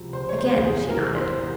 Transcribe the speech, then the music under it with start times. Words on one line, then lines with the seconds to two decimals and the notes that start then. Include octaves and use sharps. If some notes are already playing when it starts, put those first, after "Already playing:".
Again she nodded.
Already playing: C#2 C3 F3
0.13 C#2 C5
0.29 C#5
0.39 C3 F3 C5
0.64 E2 G#4
0.89 C3 E3 A#4
1.15 E2 C5
1.40 C3